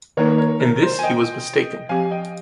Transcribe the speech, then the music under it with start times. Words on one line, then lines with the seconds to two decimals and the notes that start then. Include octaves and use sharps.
In this he was mistaken.
0.17 D#3 A#3 D#4 A#4 C#5
0.38 A#4 C#5
0.60 A#4
0.83 C5
0.99 G#5
1.03 D#5 G5
1.89 F3 C4 G4 F5 G#5
2.11 D#5 G5